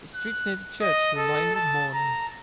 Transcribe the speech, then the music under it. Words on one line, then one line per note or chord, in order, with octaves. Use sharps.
The streets near the church were lined with mourners.
F#6
D#5
A4
A5
A#5